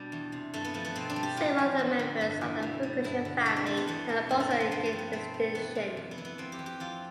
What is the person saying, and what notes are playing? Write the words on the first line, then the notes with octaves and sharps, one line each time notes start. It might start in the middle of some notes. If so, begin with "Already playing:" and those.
Several other members of the Fergusson family have also gained distinction.
Already playing: B2 G3 D4
E2
C3
G2 A3
B3
F3 A3
B3
B2 C4
D4
G3
G4
A2 F4
F3
E2
D3
G2
E3
B2
G3
G2 E4
D3
B2 D4
C4
G3 A3
B3
E2 B3
B2
G2 B3
A3
D3 C4
B3
G2 C4
A3
F3
B3
B2 C4
G3
E2 B3
C3
F2
B3
E3
B3
F2 C4
G4
E3
G4
F2 F4